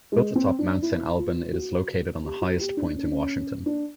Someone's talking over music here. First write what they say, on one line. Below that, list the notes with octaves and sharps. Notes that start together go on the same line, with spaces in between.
Built atop Mount Saint Alban, it is located on the highest point in Washington.
G#3
C4
D4
E4
F4
F#4
G4
F#4
G4
D4
C#4
D4
C#4
D4